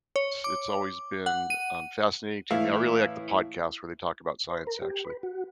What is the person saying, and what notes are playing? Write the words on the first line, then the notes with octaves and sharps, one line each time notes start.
It's it's always been, um, fascinating to me I really like the podcast where they talk about science, actually.
C#5
D6
F#5
D#7
A2 E3 E4 F5
C5
A#4
G4
B4
F#4